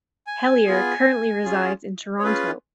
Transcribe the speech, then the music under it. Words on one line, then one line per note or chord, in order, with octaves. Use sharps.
Hellyer currently resides in Toronto.
G#5
B3 F4 G#4
C#4 F4 G#4
C#5
C#4 F4 G#4 B4